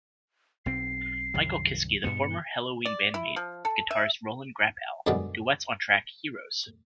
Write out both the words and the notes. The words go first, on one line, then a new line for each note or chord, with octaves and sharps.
Michael Kiske, the former Helloween bandmate of guitarist Roland Grapow, duets on track "Heroes".
B1 C4 C7
C2 F#2 D#3
G2 B2 B3 C#7
D5
E4
F3
A4
E5
F#2 B2 D3 G3 G#3 B3